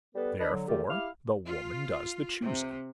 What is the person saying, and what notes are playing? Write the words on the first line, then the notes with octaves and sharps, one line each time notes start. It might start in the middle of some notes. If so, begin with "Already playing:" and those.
Therefore the woman does the choosing.
G3 B3 A4 B4
D4 B4 D#5 B5
D3 F#3
A#2 D#3 A3 G4 A4
E4 G4 F5 F6
F4
C3